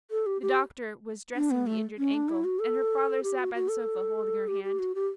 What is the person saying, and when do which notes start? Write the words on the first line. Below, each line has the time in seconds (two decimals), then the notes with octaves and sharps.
The doctor was dressing the injured ankle, and her father sat by the sofa holding her hand.
0.11 A4
0.26 G4
0.42 G4
1.35 D4
1.51 B3
1.67 A3
1.98 C#4
2.14 D4
2.29 E4
2.44 F#4
2.61 A4
3.23 G4
3.38 F#4
3.54 F#4
3.70 A4
4.48 G4
4.64 G4
4.79 F#4
4.95 G4